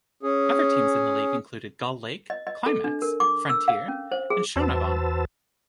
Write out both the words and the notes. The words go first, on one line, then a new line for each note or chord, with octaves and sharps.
Other teams in the league included Gull Lake, Climax, Frontier, and Shaunavon.
C#4 G#4
D#5
D#5
A4
D4
A#4
D6
E6
F5
C#4
C5
G#4
E2 F#4 B4 C5 A5 E6